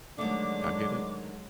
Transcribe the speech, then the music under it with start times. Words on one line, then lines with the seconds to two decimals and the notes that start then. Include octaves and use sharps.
I get it.
0.18 D3 D#3 F#3 G#3 A3 D4 D6